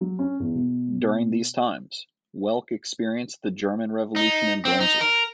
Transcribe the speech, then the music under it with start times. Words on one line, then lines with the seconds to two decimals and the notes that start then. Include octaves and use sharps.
During these times, Welk experienced the German Revolution in Brunswick.
0.01 F#3
0.19 C#4
0.40 E2
0.55 B2
4.16 D#4
4.65 C4
4.80 D#4
5.01 A#4